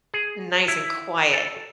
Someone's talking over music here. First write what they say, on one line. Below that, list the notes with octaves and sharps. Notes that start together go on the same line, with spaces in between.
nice and quiet
G#4
E4
A4